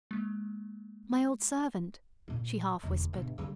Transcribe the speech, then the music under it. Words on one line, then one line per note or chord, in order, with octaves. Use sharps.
"My old servant," she half whispered.
G#3 A#3
A#2 F4
E1 D2
G1 B2
D3 G3